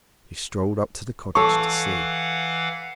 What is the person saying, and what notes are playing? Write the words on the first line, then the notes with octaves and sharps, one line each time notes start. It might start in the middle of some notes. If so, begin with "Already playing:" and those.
He strolled up to the cottage to see.
E3 A4 C#5 F5 F#5 C#6